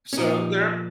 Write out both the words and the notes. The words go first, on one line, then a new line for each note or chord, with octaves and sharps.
So, there
C#4
A#2 F3 D#4